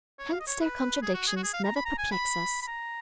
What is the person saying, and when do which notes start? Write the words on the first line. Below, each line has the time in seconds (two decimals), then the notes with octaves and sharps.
Hence their contradictions never perplex us.
0.19 C#5
0.33 F5
0.40 D#5
0.47 C#5
0.61 B4
1.02 G#4
1.14 F#4
1.27 G#4
1.37 F#4
1.43 G#4
1.53 F5
1.64 A#5
1.76 B5
1.85 A#5
1.98 G#5
2.12 B5
2.62 B5
2.67 A#5